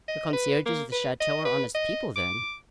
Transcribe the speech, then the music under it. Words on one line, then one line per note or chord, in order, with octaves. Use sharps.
"The concierges of the chateau are honest people, then?"
D#5
B4
A#3
B4
D#5
B4
D#5
D6